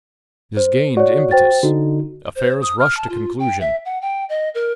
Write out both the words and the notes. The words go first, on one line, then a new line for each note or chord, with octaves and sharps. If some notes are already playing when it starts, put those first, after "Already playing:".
It has gained impetus. Affairs rush to conclusion.
C5
F#4 C#5 D5
C5 G5 A6
D3 D#4 F#4
C5
D#6
F6
A5
F4
G5
E5
F#5
G5
D#5
A#4